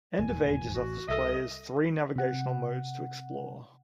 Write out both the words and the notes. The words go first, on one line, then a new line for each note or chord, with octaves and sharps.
"End of Ages" offers players three navigation modes to explore.
E1 D#2 A2 G#5
A1 F#4
C2 A4 A#4 D#5 E5
C3 F#5